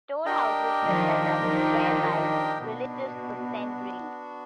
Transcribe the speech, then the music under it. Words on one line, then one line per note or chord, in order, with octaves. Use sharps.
Storehouses were set up whereby relatives could send relief.
D4 G4 A#4 D#5 G5
D#3 F3
D#3 F3
B2 B3 D4 F#4